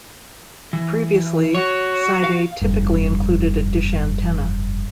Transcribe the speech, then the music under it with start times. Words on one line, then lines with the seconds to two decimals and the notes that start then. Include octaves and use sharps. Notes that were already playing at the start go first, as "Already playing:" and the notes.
Previously, Side A typically included a dish antenna.
0.73 E3
1.55 F#4 C#5
2.24 F5
2.61 F1 G2